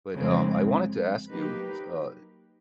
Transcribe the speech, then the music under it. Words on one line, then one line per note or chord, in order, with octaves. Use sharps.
But, um, I wanted to ask you, s uh,
F2 C#3 F3 G#3 C4
F#3 A#3 D#4 G4 B4